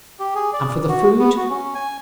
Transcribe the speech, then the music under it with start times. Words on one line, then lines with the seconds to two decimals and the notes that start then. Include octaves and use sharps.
And for the food!
0.20 G4
0.35 G#4
0.53 D5
0.89 F#4
1.19 B3
1.37 F#4
1.50 C#4
1.75 G#5